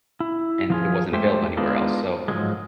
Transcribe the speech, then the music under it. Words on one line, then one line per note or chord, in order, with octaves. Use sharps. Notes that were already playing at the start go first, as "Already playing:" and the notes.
and it wasn't available anywhere else. So,
E4
F3 F4 G#4
G#3 A3 G4 C5 E5
G#3 B3 D4 D#4 F4
G#2 F3 F#3 G#3